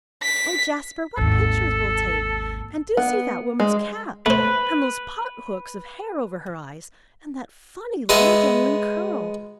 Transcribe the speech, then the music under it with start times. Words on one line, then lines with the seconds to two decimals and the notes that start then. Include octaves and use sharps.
"Oh, Jasper, what pictures we'll take--and do see that woman's cap! and those pot-hooks of hair over her eyes, and that funny, long dangling curl!"
0.23 B6
1.17 G#1 D#2 A4
2.97 B3
3.60 G#3
4.26 A3 B4 C5
8.09 G#3 B3 G#4 D#5 E5